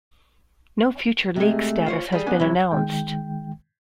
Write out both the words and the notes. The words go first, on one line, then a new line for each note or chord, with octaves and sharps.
No future league status has been announced.
C3 G#3 A3
F4 C5 C#5
G3 G#4
B3 C#4 D4 G#5
C3 F#3 E4
D#3 G#3 G5